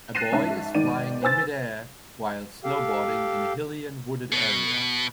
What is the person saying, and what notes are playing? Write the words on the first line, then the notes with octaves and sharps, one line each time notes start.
A boy is flying in midair while snowboarding in a hilly and wooded area.
F#6 A6 A#6 C7 D#7 E7
G#2 C#4 E5 A5
G#2 D#3 D5 D#7
B4 C5 G#5 E6 A6
G4 A4 F5 G5
B2